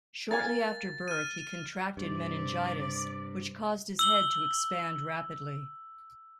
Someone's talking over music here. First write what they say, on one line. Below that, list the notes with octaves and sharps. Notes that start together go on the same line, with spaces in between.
Shortly after birth he contracted meningitis, which caused his head to expand rapidly.
A#4 F5 G#5 A6
F6 D#7
G2 C3 D5
E6 F#7 G7